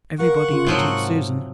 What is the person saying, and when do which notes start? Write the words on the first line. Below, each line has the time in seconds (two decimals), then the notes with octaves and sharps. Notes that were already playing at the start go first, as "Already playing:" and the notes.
Everybody pitied Susan.
0.19 A#4 F5 F#5 C#6 F#6
0.50 C#3 F4
0.67 G#2 C3 F3 F#3